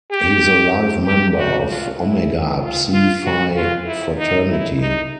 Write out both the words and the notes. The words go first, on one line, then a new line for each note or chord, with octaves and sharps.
He is a life member of Omega Psi Phi fraternity.
G4
G4
F#4
F4
E4
F4
F4
F#4
F4
E4
D#4
E4
D#4